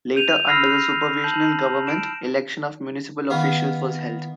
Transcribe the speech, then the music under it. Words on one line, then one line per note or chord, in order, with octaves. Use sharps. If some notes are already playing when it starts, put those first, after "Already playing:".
Later, under the supervisional government, election of municipal officials was held.
G6 D#7 F7
B5 E6 F6 G6 A#6 C7
A5 G6 F#7
D7 E7
D#3 B3 A#4 B4 F5